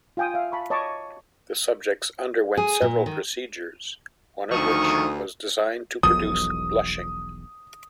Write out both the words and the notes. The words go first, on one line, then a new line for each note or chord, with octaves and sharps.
The subjects underwent several procedures, one of which was designed to produce blushing.
F4 F5 G5 G#5 D#6
E5 F5
A5 B5 C#6
C#5 D#5 A5 B5 C#6 D6
G#4
A#2
D#3
D2 D#3 F3 A4 C#6 D#6
E1 B1 F3 D#6